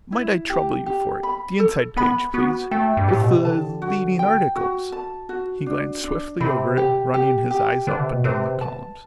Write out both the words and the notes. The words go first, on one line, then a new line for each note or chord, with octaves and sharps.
"Might I trouble you for it--the inside page, please, with the leading articles?" He glanced swiftly over it, running his eyes up and down the columns.
E4
G4
G4
B5
A4
B3 B5
B3 F#4
A3 G5
G2
A2 G4
B2
C3
D3 A5
F#4
G5
F#4
A5
F#4
D4
D4
C3 B5
G4
G4
G4
D3 B4
C3
B2
C3 B4
A5